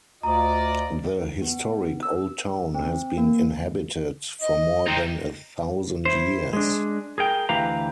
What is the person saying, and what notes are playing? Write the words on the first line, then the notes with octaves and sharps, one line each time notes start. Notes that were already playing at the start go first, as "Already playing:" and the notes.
The historic old town has been inhabited for more than a thousand years.
D2 F4 D5 D#5 A#5
B3
E6
C4
A#3
D#5
C4 D#4
E4 C5
G#3 D4
G#4 A#4 G5
D2 E3 G4 B4 F5 A#5